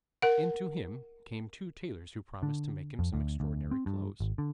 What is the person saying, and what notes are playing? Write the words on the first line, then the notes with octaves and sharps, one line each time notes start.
And to him came two tailors, who promised to make him some extraordinary clothes.
A#4 F#5
D3
F2
D2
D2
C4
G2
G#1
D3